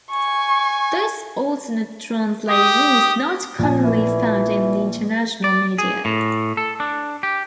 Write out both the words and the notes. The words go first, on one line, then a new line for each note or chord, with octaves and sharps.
This alternate translation is not commonly found in the international media.
G#5 C#6
G4 D#6
A#1 G#5
E3
D5
G#4
A2
A4
D4
G4